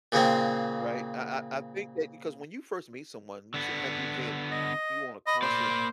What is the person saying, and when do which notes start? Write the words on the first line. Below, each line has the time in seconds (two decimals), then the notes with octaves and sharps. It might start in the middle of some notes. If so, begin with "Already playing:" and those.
right? I I I think that because when you first meet someone, you seem like you can't you you want a constant
0.12 A#2 C#3 A#3 C4
3.54 D3 B3
4.52 D#5
5.27 D#5 B5
5.42 A#3 C5 D5